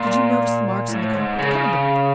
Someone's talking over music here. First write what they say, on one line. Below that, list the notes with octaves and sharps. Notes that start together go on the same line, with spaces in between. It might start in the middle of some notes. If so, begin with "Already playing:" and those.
Did you notice the marks on the carpet?--Come and look at them.'
Already playing: A#2
A2
G#2
C#3